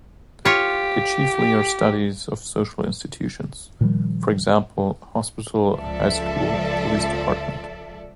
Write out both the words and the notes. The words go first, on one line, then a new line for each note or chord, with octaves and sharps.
They chiefly are studies of social institutions: for example, hospital, high school, police department.
F4 G4 C#5
A#2 D#3 F3 G3
C#2 F3 A4 D5 E5